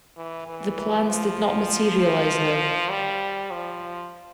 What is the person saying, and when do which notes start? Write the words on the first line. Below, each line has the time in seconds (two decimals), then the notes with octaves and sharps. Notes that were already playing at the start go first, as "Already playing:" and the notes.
The plans did not materialize, though.
0.17 E3
0.48 E3
1.08 F3
2.90 G3
3.51 F3